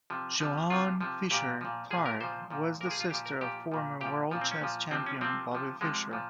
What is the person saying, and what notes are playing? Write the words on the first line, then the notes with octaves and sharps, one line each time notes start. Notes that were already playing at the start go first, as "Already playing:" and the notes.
Joan Fischer Targ was the sister of former world chess champion Bobby Fischer.
C3 F3
C3 F3
C3 F3 F4
C3 F3
A#2 F3 G4
A#2 F3
A#2 F3 G#4
A#4
A#2 F3 C5
A#2 F3
A#2 A#4
F3 G#4
F4
A#2 F3 G4
A#4
A#2 F3 G4
A#2 F3
A#2 F3 G4
A#2 F3
C4
C#4
A#2 F3
C3 F3 C4
C#4
C3 F3 C4
C3 F3
C3 F3 G#3
A#2 F3